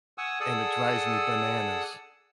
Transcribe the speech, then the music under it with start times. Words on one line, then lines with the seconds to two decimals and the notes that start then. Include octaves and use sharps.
and it drives me bananas.
0.18 F#5 G#5 C#6 D#6 E6
0.40 G#4 A4 D5 F#5 D#6 E6